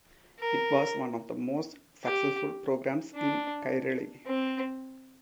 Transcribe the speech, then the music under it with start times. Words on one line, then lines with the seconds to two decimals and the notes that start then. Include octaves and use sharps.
It was one of the most successful programs in Kairali.
0.39 A#4
2.05 G4
3.15 D4
4.26 C4